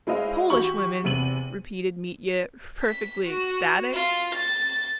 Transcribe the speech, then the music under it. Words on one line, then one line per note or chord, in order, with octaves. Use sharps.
"Polish women?" repeated Mitya, perfectly ecstatic.
G#3 E4 B4 C5 D#5 F5
E3 F#4 G4 C#6 F#7
E2 C3 B3 D#7 F#7
B6
F#4
F4
A6